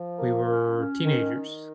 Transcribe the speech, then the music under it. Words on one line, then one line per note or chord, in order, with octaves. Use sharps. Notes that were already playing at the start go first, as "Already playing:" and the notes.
we were teenagers,
Already playing: F3
A#3
C#4
C#4
D#3
D#3